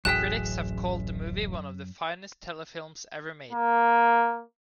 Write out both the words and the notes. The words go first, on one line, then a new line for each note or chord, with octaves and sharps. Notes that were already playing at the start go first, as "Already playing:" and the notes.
Critics have called the movie one of the finest telefilms ever made.
D1 A1 F#2 G#4 G5 F#6 B6 E7
A#3